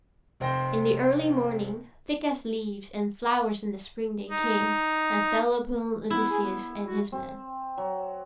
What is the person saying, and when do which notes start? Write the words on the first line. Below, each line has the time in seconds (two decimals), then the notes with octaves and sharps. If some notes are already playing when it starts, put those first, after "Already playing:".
In the early morning, thick as leaves and flowers in the spring they came, and fell upon Odysseus and his men.
0.40 F1 C3 C4 C5 G5 A#6
4.30 D#4
6.10 B3 E4
6.30 G#4
6.42 B3
6.85 F#4
7.12 C4
7.77 F#3